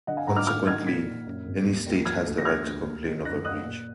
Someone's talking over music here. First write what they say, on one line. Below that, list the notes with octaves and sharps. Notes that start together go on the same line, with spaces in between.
Consequently, any state has the right to complain of a breach.
D3 D#5 F#5
F5 G#5
D3 F#5 A#5
D6 F6
D#3 D6 F6
D#3 F6 G#6
A#2 G#6 B6
A#2
F#2
G#1
D#2
D#2
F3 F6 G#6
D2
A#6
D3 F6 G#6
D2
D#2
D#3
F#2 F#6 A#6
F#2 D#6 F#6
A#2